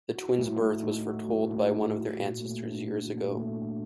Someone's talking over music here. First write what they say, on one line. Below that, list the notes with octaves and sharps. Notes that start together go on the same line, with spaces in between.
The twins' birth was foretold by one of their ancestors years ago.
F#4
A2
A3
D#4
F#4
A2
A3
D#4
F#4
A#2
A3
D4
F#4
A#2
A3
D4